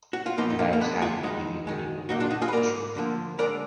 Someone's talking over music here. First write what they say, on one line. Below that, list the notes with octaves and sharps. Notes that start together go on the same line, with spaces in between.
And I was happy to be the only one knowing the truth.
F#4
F4
A#2 F3 A#3 B3 D#4
D#4
A#3 D4
A#3
F2 D3 G#3 B3
F4 G#4
F2 D#3 G#3 D#4 F#4
F#2 D#3 G#3
A#2 F#3 A#3 D#4 F#4
D4 F4
D#4 F#4
F4 G#4
B4
G#2 D#3 A#3 A#4 D5
D2 D3 F3 A#3
D2 D3 G#3 A#4 D5